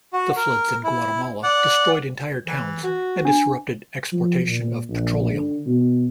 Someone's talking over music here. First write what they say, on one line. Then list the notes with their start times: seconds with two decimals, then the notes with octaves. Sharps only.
The floods in Guatemala destroyed entire towns and disrupted exportation of petroleum.
0.13 F#4
0.36 A#4
0.84 E4
1.43 D5 F#5
2.46 E3
2.83 F#4
3.25 D4
4.12 F3
4.45 A#2
4.89 A#1
5.33 D3
5.66 B2